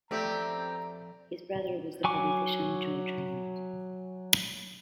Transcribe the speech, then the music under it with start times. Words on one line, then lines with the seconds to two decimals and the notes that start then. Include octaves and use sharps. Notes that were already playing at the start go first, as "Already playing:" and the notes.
His brother was the politician George Hart.
0.11 F2 A3 C4 G4 D5 E5 A#5
2.04 F#3 G#5 C#6 D6